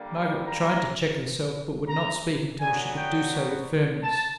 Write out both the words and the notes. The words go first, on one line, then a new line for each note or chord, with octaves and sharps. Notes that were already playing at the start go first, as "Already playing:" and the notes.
Margaret tried to check herself, but would not speak until she could do so with firmness.
Already playing: D3 G3 A#3
A#5
A#5
D3 F#3 B3 G#5
G5
A5